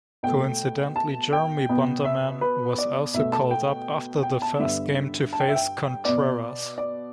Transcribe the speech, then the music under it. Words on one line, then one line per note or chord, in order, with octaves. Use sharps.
Coincidentally, Jeremy Bonderman was also called up after the first game to face Contreras.
B2 A3 G5
A5
G5
B2 B3
E5
B4
D5
B2 A3 E5
A5
G5
G5
A5
G2 D3 B3 E5
A5
G5
E5
G5
B2 B3 D5
D5